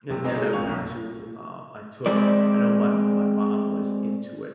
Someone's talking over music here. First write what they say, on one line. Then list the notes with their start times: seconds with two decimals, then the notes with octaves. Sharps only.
and then I went to uh, I took I know my my mom was into it,
0.10 F#1 C3
0.24 F#3 B3 C4 D#4
0.35 G#3 D#4 A4 C#5
0.53 G#1 F5 C#6 F7
0.66 B1 F#2
2.06 G#3 C4 D5